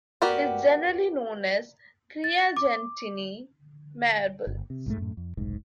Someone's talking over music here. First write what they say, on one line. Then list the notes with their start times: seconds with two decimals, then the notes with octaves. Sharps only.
It is generally known as the Craigentinny Marbles.
0.22 B3 F#4 G4 A#4 D5
2.24 A6
2.57 D6
4.47 G1
4.70 C3
4.86 B1 G#2 A3
4.98 F#2 A2
5.17 F2
5.37 F1 B1 G#2